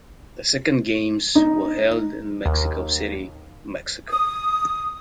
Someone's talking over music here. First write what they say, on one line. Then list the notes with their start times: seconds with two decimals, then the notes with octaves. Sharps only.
The second games were held in Mexico City, Mexico.
1.35 D#4
2.46 D#2
4.09 D#6